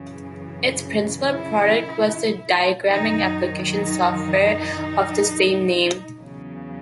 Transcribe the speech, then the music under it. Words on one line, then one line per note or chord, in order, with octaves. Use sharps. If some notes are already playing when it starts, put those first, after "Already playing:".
Its principal product was a diagramming application software of the same name.
Already playing: F#2 C#3 E3
E4
F#2 D#3 F#3 D#4
D#4
E2 C#3 F#3